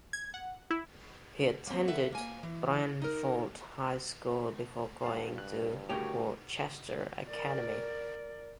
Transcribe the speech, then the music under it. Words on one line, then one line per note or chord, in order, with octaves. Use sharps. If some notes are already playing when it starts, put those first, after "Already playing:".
He attended Branford High School before going to Worcester Academy.
G#6
F#5
E4
A#3 C4
A4 B4 E5 F#5
A#3 G#5
E3
D#4 A#4
G2 F5 F#5 A5
F#6
D2 A2 C#3 F#4 G4 A#4 C#5
A#4 D5